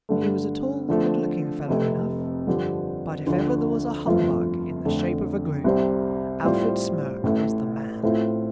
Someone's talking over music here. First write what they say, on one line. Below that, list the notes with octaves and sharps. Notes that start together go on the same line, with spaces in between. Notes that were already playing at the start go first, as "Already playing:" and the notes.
He was a tall, good-looking fellow enough; but if ever there was a humbug in the shape of a groom Alfred Smirk was the man.
G2 D3 A3
D3 F3 A3 C4
F1 F2 C3 A3
G2 D3 F3 C4 G4
D2 D3 F3
G1 F2 F3 A3 F4
F2 D3 A3
C2 C3 G3 C4
A2 G3 C4 F4 C5
A1 A2 A3
A2 A3 C4 F4